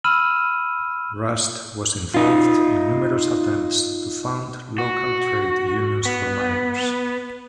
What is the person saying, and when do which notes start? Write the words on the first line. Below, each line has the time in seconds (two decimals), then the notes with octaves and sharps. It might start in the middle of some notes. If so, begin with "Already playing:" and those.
Rust was involved in numerous attempts to found local trade unions for miners.
0.04 B5 E6 F6 D#7 E7 F#7
2.14 D#4 F4
4.78 F#4
6.05 B3